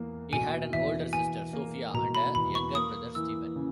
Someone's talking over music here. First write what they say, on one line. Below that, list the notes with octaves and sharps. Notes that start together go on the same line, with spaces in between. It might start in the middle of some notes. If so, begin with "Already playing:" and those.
He had an older sister, Sophia, and a younger brother, Steven.
Already playing: E2 A#3
B2 G#5
E2 E5
E2 G#5
A#3
B2 A#5
B5
E2 B5
C#6
A#3 D#6
E3 E6
C#3